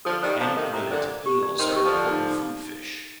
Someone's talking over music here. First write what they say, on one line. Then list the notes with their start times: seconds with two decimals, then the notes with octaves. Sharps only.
Anguillid eels are important food fish.
0.05 D3 F3 A4
0.22 D#3 G3 C5
0.40 D3 F3 A#5
0.56 C3 D#3 A4
0.74 C3 A#5
0.90 A#2 D3 C5
1.08 D5
1.26 G4
1.43 D5
1.59 C3 D#3 C6
1.76 G4
1.85 D3 F3
1.93 D5
2.10 D#4
2.27 D#4